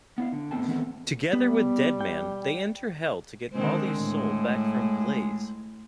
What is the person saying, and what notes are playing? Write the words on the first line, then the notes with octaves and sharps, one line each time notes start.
Together with Deadman, they enter Hell to get Molly's soul back from Blaze.
B3 E4 F5
D3
A2 B3 C4 A4 G5 A5
D#3 E3 G#3 B3 C4 A4
G3 B3
G5
D3 D#3 G#3 C4
A2